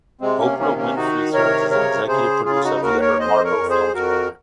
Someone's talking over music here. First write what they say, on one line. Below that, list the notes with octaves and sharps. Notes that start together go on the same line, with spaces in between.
Oprah Winfrey serves as an executive producer via her Harpo Films banner.
C3 G#3 C4
A#3 C#4
D#3 A#3 C#4
A#3 C#4
D#3 D#4 F#4
C3 A#4 C#5
C#3 A#4 C#5
C#3 G#4 C5
C#3 F4 G#4
F4
D#4 F#4
D#2 F#4 A#4
A#4 C#5
F2 C5 D#5
A#4 C#5
F2
G#4 C5
F2 F#4 A#4